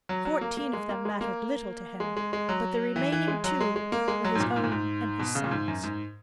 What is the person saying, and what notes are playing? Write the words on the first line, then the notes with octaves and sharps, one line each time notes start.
Fourteen of them mattered little to him, but the remaining two were his own and his son's.
F#3
F#3
A#3
A#3
G#3
A#3
G#3
A#3
G#3
G#3
G#3
F#3
E3
E3
G#3
F#3
G#3
G#3
A#3
G#3
F#3
G#2
A#2
G#2
A#2
G#2
B2
C#3
A#2
G#2
F#2
G#2